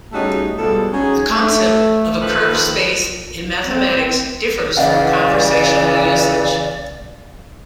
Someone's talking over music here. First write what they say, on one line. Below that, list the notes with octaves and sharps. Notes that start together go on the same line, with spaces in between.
The concept of a curved space in mathematics differs from conversational usage.
G3 A3 C#4 D#4 F#4 G#4
B2 F3 G3 G#3 A4
C#4 D#4 F#4 G#4
A3
D#3 F3 A4 B4 C5
C4
C#3 E3 D5 D#5 F5 F#5